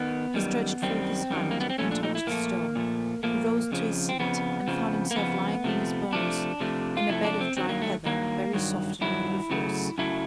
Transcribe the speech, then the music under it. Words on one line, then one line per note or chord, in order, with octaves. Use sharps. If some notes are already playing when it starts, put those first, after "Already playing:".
He stretched forth his hand, and touched stone; he rose to his seat, and found himself lying on his bournous in a bed of dry heather, very soft and odoriferous.
Already playing: D#3 B3
F#2 D#3 G3
F#2 D#3 G3 C4
F#2 D#3 G3
A#3
B3
C4
A#2 F3 A3 C#4
D4
D#4
E4
A#2 F3 A3 A#3
A#2 F3 A3
A#2 F3 A3 A#3
F2 C#3 F3
C4
F2 C#3 F3 B3
F2 C#3 F3
A#3
F2 C#3 F3 B3
C3 F3 A3
C3 F3 A3 D4
C3 F3 A3
F4
C3 F3 A3 E4
D4
C4
G2 D#3 F#3 C4
A#3
A3
G2 D#3 F#3 A#3
G2 D#3 F#3
G2 D#3 F#3 E4
F#2 C#3 F#3 A3
F#2 C#3 F#3 A3 E4